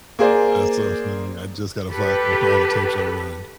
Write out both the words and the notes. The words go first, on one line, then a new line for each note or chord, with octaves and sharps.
That's so funny, I just got a flashback to all the tapes I ruined.
A#3 G#4 C5 D5
G4 A4 B4